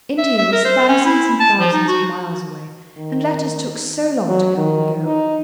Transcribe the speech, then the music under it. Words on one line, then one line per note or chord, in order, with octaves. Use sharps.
India was thousands and thousands of miles away, and letters took so long to come and go.
E5
E5
A#4
C5
C#4
E4
A5
F3
D#4
F#4
D#3
F#3
D#3
D#4